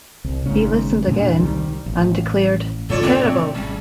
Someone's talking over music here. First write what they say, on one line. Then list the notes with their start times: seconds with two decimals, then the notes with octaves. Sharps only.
He listened again and declared 'Terrible!
0.24 C2
0.46 G#1 G#2 C#3 C#4
1.06 E2 G2 A#2 D3
1.38 C2 D#3 G3
1.86 A1
2.90 G2 C#3 G#3 F4 A4 C#5 D5
3.02 C#2 D3 A#3 C4
3.19 G#2 B2 D4
3.35 B2 A3
3.55 G#1 C3 G3 G#3 C#4